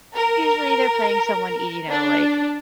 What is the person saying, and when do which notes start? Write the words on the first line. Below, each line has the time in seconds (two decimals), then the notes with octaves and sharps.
usually, they're playing someone, y you know, like,
0.15 A#4
1.89 D4